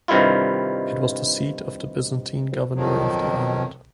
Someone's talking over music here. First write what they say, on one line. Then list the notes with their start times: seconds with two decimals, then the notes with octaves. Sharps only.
It was the seat of the Byzantine governor of the island.
0.08 G2 C3 D#3 G3 E4 F4
2.75 F2 B2 D#3 F3 F#3